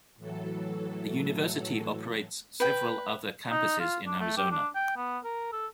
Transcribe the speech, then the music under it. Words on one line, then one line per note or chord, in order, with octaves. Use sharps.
The university operates several other campuses in Arizona.
A2 E3 F#3 A4
B4 G5
D#4
F4
D4
A3
G4
D4
G5
B3
A#4
A4